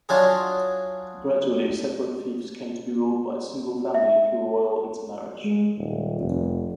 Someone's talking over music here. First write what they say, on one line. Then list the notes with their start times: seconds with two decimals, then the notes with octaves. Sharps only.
Gradually, separate fiefs came to be ruled by a single family through royal intermarriage.
0.09 F#3 D4 F4 G#4
3.94 E5
5.45 G#3
5.78 D#1
6.20 F1